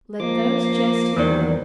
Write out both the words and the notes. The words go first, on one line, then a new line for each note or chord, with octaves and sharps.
Let those jest who will.
F3 A#3 D6
E2 D#3 A#4 C5 D5